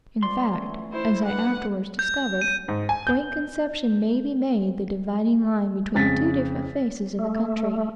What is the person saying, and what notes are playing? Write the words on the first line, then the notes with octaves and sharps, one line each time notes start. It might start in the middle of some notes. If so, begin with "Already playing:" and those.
In fact, as I afterwards discovered, Point Conception may be made the dividing line between two different faces of the country.
F2 D5 C6
E3 A3 C#4
D#4 E4 C5
G3 D4 D#4 B4 F#5
G6
D#7
G#2
G#5
G6
F2 C#3 A6 B6
A3